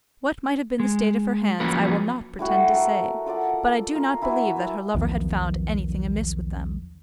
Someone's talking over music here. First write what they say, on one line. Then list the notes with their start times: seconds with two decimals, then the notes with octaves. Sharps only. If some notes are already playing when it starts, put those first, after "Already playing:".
What might have been the state of her hands I will not pretend to say; but I do not believe that her lover had found anything amiss with them.
0.80 G#3
1.60 F3 F#3 A#3 C#4 F#4 B4
2.39 A2 G3 F#4 E5
2.70 A4 A#4
3.26 F4 A4 D5 F#5
3.95 F4 A#4
4.22 E3 E4 F#4 E5
4.94 B1 E2 D#3 F3